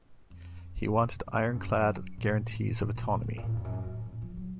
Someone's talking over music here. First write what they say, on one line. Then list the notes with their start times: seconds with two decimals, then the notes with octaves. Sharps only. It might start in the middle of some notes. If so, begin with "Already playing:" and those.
He wanted 'iron clad guarantees of autonomy'.
0.30 F2
1.27 C3
1.36 A#2
1.46 A2
1.55 F#2
1.76 F#2
2.18 A#2
2.49 A2
2.80 A#2
2.95 A2
3.02 A#2
3.23 A2
3.37 A#2
3.43 A2
3.55 F2
3.65 F#2
3.85 A2
4.06 A#2
4.22 F3
4.37 F#3